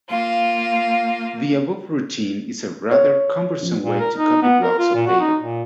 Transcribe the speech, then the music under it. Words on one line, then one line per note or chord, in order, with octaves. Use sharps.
The above routine is a rather cumbersome way to copy blocks of data.
A#3 F4 F5
C#5
F3
A#2
A#4
D#4
B3
A#4
F4
A#2
F#4
D#4
A#2